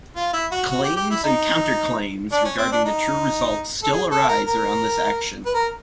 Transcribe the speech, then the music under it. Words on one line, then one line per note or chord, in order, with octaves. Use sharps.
Claims and counter-claims regarding the true results still arise around this action.
F4
E4
F#4
F#4
G4
G4
E4
D#4
D4
C#4
C4
D4
D#4
A4
G#4
A4
A#4
A#4
B4
A#4